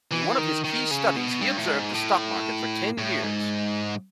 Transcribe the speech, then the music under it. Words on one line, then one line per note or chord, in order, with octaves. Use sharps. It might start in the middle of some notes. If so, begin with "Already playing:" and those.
In one of his key studies, he observed the stock market for ten years.
E3
D#3
D#3
C#3
B2
G2
A2
G#2
A2
A2
G#2